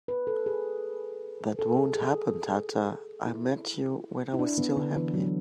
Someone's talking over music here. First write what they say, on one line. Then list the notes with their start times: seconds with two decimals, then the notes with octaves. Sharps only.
That won't happen Tata, I met you when I was still happy!
0.08 B4
0.27 A4
0.46 G#4
1.59 A4
1.77 G#4
1.95 G#4
3.27 E4
4.34 E4
4.39 D4
4.58 B3
4.77 D3
4.96 E3
5.14 F#3